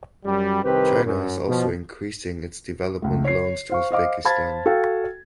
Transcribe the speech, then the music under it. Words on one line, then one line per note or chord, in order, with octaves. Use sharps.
China has also increasing its development loans to Uzbekistan.
F#2 G3
C2 D#3 C4 G4 B4
F#2
B2 F3
C#2 A3
C#5 C7
C5 F5 C#6
C5 D#5 F5 D6
C5 F5 A5 B5 G#6 A6
F#4 A4 F5 G5